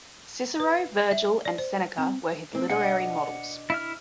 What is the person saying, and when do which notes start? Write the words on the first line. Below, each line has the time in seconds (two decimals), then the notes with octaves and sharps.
Cicero, Virgil, and Seneca were his literary models.
0.60 B4
1.11 E5
1.45 D5
1.58 C5
1.98 C4
2.53 A#3 C4
2.70 B2 D4 D#5 F#5
3.70 E4 E5 F6